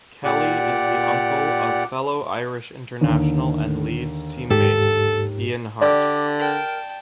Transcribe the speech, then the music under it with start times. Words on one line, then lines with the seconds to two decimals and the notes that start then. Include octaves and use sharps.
Kelly is the uncle of fellow Irish international and Leeds teammate Ian Harte.
0.24 A#2 G4 D5 F#5
3.01 D#2 D3
4.51 G#2 G4 A4
5.81 D3 G4 D5 D6
6.39 A#4 G5 A5